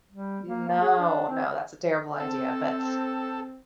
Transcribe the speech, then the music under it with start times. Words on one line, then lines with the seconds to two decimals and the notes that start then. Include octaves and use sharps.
No, no, that's a terrible idea, but
0.12 G3
0.48 A#3
0.68 A#3
0.81 G#4
0.99 D4
1.29 C4
2.20 C4 A4